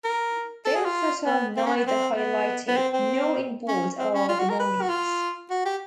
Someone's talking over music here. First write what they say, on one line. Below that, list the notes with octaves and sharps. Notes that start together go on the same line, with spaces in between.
Those that are neither highlighted nor in bold are the nominees.
A#4
A4
G#4
F4
B3
C4
C#4
B3
C4
B3
B3
C4
C4
C#4
C4
C#4
F4
F#4
A#4
B4
F#4
F4
F#4
G4